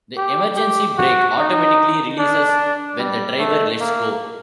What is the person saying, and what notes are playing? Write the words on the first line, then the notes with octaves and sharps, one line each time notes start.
The emergency brake automatically releases when the driver lets go.
G4
G4
F#4
D#4
D4
G3
A3
A#3